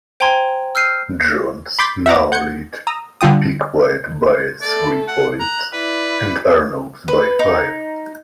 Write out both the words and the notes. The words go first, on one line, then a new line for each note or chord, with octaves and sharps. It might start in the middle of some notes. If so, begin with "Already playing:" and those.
Jones now led Piquet by three points and Arnoux by five.
C5 G5 G#5 A#5 C6 G#6
E6 F6 G6 C7 D#7
B5 C6 D6 G6 A6 B6
E5 F#5 A#5 D6
F#5 G6 G#6 C#7
A#5 D#6 E6
D3 G3 F4 G5 D#6
A3 A4 D5
F#5
A#5 F#6
E4 B4 D5
B4
D#4